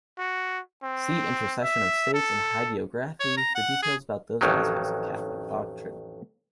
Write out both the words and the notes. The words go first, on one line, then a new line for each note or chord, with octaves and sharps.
See Intercession of saints and Hagiography for details about those aspects of Catholic doctrine.
F#4
C4
E5
A4
C#5
A#5
F#5
G#4
A1 F2 D#3 F#3